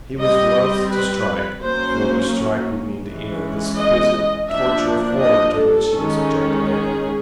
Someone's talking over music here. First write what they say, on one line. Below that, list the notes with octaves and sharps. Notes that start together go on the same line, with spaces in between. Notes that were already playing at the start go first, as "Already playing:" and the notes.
He was loth to strike, for to strike would mean to end this exquisite torture of horror to which he was subjecting him.
G3 C4 D#5
B4
F#3 A#3 C#4 C5
E3 G#3 C#4
D#5
F3 A#3 D4 E5
D#5
A4
D#3 G#3 C#4
G#4